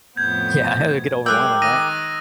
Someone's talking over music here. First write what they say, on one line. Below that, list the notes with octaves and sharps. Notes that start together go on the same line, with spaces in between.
Yeah, it would get overwhelming, right?
F2 A2 B3 G6 G#6
F#3 G#3 G#4 A#4 G5 D6 E6 F#6
D#3 D#6 A#6 D#7